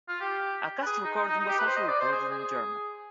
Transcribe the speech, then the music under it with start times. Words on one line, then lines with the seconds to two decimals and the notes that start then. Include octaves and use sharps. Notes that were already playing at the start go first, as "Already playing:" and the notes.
A cast recording was also recorded in German.
0.08 F4
0.21 G4
0.83 B4
0.86 G#4
1.05 D#4
1.17 D#4
1.29 D#4
1.40 D#4
1.49 G4
1.58 B4
1.67 C5
1.76 D#5
1.88 D5
2.00 C5
2.12 G#4
2.31 G#4